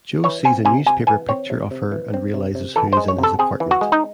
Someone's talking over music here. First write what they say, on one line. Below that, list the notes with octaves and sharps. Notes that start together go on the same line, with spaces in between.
Joe sees a newspaper picture of her and realizes who is in his apartment.
E3 C#5
C4 G#5
C3 G#5
C3 G#5
E3 G#5
C4 C#5
C3
C3
E3
C4
C3
C3
E3 A4
G#3 C5
C#5
C3 A4
C4 G#4
E3
F#4
G#3
D#4